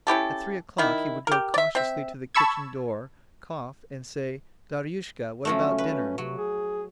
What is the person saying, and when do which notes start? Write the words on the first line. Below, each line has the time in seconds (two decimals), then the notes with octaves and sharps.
At three o'clock he would go cautiously to the kitchen door; cough, and say, "Daryushka, what about dinner? . ."
0.07 C#4 E4 G4 A4
0.78 D#3 E4
1.27 G4 A#4
1.54 D5 E5
1.75 C4 E5
2.35 A5 B5 C#6 E6 G#6
5.45 F3 F#3 A3 C#4
5.78 B4
6.18 C3 F#3
6.37 G#4